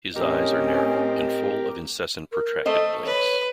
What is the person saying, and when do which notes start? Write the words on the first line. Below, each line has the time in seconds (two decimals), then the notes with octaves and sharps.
His eyes are narrow and full of incessant, protracted blinks.
0.16 A2 C4 C#4 G4 A#4 D#5
2.32 A#4
2.65 A3 A4 C5 D#5
3.05 B4 C#5